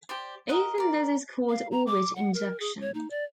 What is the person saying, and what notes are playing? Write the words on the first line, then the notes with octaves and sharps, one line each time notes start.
Often this is called orbit injection.
G4 C5 D5
A#4 D#5 F#5
A#4 D5
F5
A#5
D6
F#5
A#4
G#4
C#5
D#4
D5